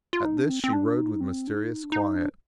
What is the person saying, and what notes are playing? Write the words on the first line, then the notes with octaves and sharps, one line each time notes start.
At this she rode with mysterious quiet.
F4
D#4
D4
C4
C4
D4
D#4
C4
D4
D#4
D4
D#4
D4